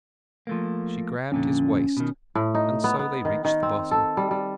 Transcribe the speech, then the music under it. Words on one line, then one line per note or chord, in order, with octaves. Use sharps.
She grasped his waist, and so they reached the bottom.
F3 A3 A#3
F2 A#2 D3 C#4
B2 D#3
A2
D#4
B3
B3
D#3
D#3
C4
A4
G3
G3